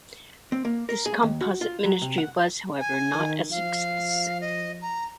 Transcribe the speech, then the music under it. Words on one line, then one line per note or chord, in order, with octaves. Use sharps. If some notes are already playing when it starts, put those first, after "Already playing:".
This composite ministry was, however, not a success.
C4
A#3
A#4
G#4
D#2
F#4
F4
F#3
C3
F#5
G#5
D#3
F3 F5
D#5
A#5